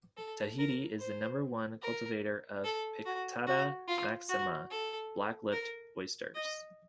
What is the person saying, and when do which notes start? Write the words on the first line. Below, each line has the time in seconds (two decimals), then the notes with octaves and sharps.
Tahiti is the number one cultivator of "Pinctada maxima" black-lipped oysters.
0.17 A4
0.59 A#4
0.99 C5
1.82 A#4
2.64 A4
3.05 F#4
3.47 F#4
3.88 F4
4.29 F#4
4.70 A4
5.52 A#4
6.35 D#5